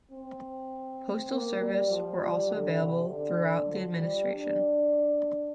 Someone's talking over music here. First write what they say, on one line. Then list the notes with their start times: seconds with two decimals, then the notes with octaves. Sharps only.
Postal service were also available throughout the administration.
0.11 C4
1.31 A#3
1.60 G3
1.90 F3
2.20 G3
2.50 D3
2.79 C3
3.09 D3
3.69 F3
3.98 G3
4.29 D4